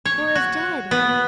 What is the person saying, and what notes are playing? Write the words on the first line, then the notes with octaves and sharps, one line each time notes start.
"Flora's dead!"
C#5
F#4
B3